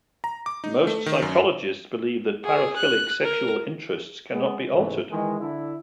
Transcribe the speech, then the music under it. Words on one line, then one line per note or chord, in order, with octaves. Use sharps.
Most psychologists believe that paraphilic sexual interests cannot be altered.
A#5
D6
D#4
A3
D#3
F#2
G#4
F#6
A#4
G#3 B3
A1 G#2 C3 E3 A3
D#3 E3 G#3
D3 E4